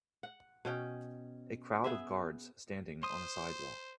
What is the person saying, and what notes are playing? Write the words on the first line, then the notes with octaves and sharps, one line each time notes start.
A crowd of guards standing on a sidewalk.
F#5
B2 C#4 G5
B3 G#4 E5
C5 C6 D#6